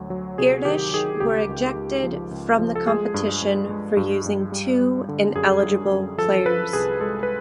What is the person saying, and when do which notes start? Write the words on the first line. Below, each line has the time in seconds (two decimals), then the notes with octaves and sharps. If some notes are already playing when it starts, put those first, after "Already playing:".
Irtysh were ejected from the competition for using two ineligible players.
Already playing: D2 F#3
0.10 F#3
0.38 C3 G#4
0.65 D#3 G4
0.94 D#3 G#4
1.20 C#2 G4
1.49 C#2
1.76 C#2
2.03 F3
2.31 C#2
2.59 F3
2.76 A4
2.87 G#3 G#4
3.14 G2
3.42 G2
3.69 G#3
3.97 G2
4.26 G2
4.52 G3
4.81 G3
5.09 D3
5.35 F#2 G#4
5.63 G3
5.91 F#2
6.18 F3 A4
6.46 F3 B4
6.73 C2 G#4
7.01 G#3 A4
7.23 B4